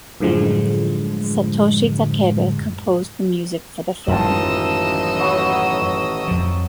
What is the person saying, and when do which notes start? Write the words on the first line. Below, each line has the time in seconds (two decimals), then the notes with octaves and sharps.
Satoshi Takebe composed the music for the film.
0.20 F#2 A2 D3 F3 G#3
4.08 A1 F#2 D#3 G#3 F4 D#5 A5 E6
5.20 F#3 F#4 B5
6.28 F2 F3